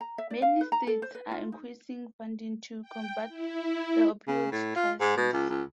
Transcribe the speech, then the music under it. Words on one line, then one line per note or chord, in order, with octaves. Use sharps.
Many states are increasing funding to combat the opioid crisis.
A#5
E5
D5
F5
B4
A#5
A4
C5
B4
F4
D#4
G5
E4
C#3
A2
F4
G#2
B2
C#2
C#2